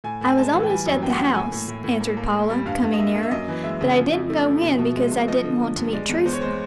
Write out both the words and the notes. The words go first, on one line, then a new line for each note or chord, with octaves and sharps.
"I was almost at the house," answered Paula, coming nearer, "but I didn't go in because I didn't want to meet Teresa."
A2 G#5
A2 G#5
G#3 A5
E3
G5
G3 G#5
F#2
A#3 G5
F#5
A#3 G5
A2 G#5
A2
A2
A2
A#3
A#3
A#3
G3
G2 F5
G2
D#5
A#3 E5
A#3
E5
F#2 D#5
E3
G#3 E5
C#3
F3
F2
A3
F3
B2
B2
G#3
B2
F3 D#5
D3
D3
G2
G#3 D5
E2
E2 C5
C#5
G#3 C5